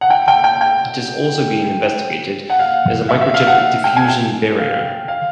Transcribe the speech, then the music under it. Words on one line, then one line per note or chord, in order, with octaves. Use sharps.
It is also being investigated as a microchip diffusion barrier.
F#5
G5
G5
G5
G5
F#5
F5
E5
E5
F5
F#5
F#5
G5
G#5
G5
F5
F5